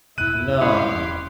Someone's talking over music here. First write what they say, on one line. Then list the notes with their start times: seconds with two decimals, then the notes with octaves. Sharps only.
No, no.
0.18 D#1 F#2 B2 E4 F#6 D#7
0.61 G#3 C#4 E4 G4 F5 C6 C#7
0.95 E1